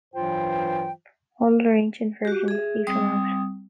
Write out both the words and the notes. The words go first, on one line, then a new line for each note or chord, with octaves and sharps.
All other ancient versions leave him out.
G2 E3 F#3 F4 C5 G5
F#4 G4
G#4 E5
G3 C4 D#6